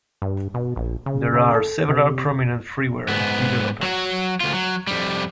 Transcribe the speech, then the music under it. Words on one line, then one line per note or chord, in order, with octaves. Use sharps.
There are several prominent freeware developers.
G2
B2
A#1
C#3
C#3
A4
C3
G#2 B3
F#3 F#4
D2 F4
F#3
F2 G3